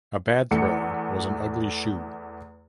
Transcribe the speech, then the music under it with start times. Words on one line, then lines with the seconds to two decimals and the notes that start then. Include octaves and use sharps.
A bad throw was an "Ugly Shoe".
0.51 E2 A3 C#7